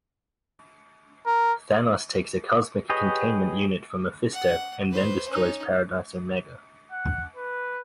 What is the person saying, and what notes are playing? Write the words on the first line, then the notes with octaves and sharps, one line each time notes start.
Thanos takes a cosmic containment unit for Mephisto and then destroys Paradise Omega.
A#4
G4 G#4 B4 C#5 D#5
F#5
B4 C5
C#4 D#4
F#5
B4